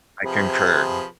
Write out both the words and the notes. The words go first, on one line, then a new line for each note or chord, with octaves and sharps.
I concur.
C3 F3 G#4 B4